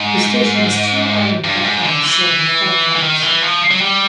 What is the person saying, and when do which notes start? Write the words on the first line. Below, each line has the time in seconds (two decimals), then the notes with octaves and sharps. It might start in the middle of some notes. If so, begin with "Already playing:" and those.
The station has two island platforms serving four tracks.
Already playing: G#2
1.44 G2
1.64 G#2
1.84 D3
2.03 E3
2.95 E3
3.03 D#3
3.22 E3
3.42 F3
3.71 F#3
3.81 G3